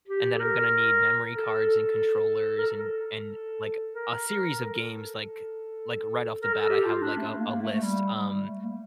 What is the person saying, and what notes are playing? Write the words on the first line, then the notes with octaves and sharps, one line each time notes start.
and then I'm gonna need memory cards and controllers and and, like, a series of games, like like, right off the bat, I have, like, a a list, um,
G4
A4
A#4
A4
A4
A#4
A4
A#4
A#4
A4
A#4
A4
G4
F4
D4
A3
A#3
A3
A3
G3
G3
A3
A#3